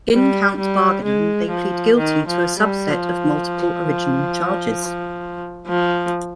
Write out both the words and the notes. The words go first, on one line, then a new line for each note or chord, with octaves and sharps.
In count bargaining, they plead guilty to a subset of multiple original charges.
G3
G3
G#3
F3
D#3
F3
G3
F3
F3